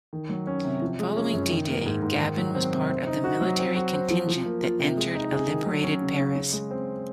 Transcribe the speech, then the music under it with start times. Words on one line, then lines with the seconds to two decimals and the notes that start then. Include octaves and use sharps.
Following D-Day, Gabin was part of the military contingent that entered a liberated Paris.
0.13 D#3
0.29 F#3
0.47 C#4
0.64 C3
0.82 F3
0.99 G#3
1.16 C#4
1.33 F#2
1.50 D#3
1.68 A#3
1.86 G#2
2.02 G#2
2.20 D#3
2.37 F#3
2.55 C4
2.73 C3
2.90 C4
3.07 D#4
3.24 F#4
3.41 F#3
3.59 C4
3.76 F#4
3.93 C5
4.10 F3
4.28 F3
4.46 A#3
4.63 F4
4.79 C3
4.97 G#3
5.14 D#4
5.32 G#4
5.49 D#3
5.66 F#3
5.83 C#4
6.01 C#3
6.19 C#3
6.36 C#3
6.52 G#3
6.71 C4